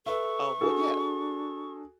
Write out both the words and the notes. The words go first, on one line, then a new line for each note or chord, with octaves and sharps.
Um, but, yeah,
A4 B4 E5 C#6
D4 F#4 G#4 A4